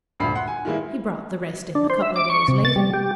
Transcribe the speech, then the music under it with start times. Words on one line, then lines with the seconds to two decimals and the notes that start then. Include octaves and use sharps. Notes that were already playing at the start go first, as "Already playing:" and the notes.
He brought the rest in a couple of days later.
0.20 D#1 D2 G2 B5 C7
0.35 F#5 C6
0.48 G#5
0.65 D#3 E3 G3 G#3 A#3 E4
1.75 D4
1.90 C5
2.02 E5
2.16 D6
2.30 C#6
2.48 C3
2.65 A6
2.76 G3
2.93 G4